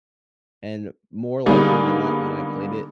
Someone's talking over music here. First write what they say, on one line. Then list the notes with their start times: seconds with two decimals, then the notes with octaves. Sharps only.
and more likely than not when I played it,
1.46 D3 G3 G#3 A#3 B3 D#4